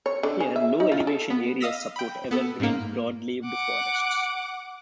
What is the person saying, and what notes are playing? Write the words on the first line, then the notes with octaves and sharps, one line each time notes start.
Here low elevation areas support evergreen broadleaved forests.
C#5
D3
G#4
E5
D#4
F4
A4
B3
D#5 F5 D#6 E6 A#6 B6
G5 B5
B3 A4
G#2 A#3
F#5 D6